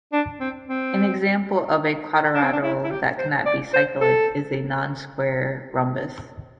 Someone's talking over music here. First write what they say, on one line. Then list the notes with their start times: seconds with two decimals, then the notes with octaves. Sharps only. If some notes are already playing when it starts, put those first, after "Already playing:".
An example of a quadrilateral that cannot be cyclic is a non-square rhombus.
0.12 D4
0.40 C4
0.68 C4
2.35 D4
2.43 C4
2.53 D4
2.63 E4
2.84 E4
2.91 G4
3.18 C5
3.46 D5
3.74 C5
4.01 A4